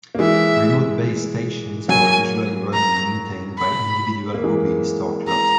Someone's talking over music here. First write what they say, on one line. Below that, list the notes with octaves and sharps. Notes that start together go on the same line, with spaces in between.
Remote base stations are usually run and maintained by individual hobbyists or clubs.
A#3
E3 G#3 E5
F#3 A#3 G#5
A#5
B5
A#3
E3 G#3
A#5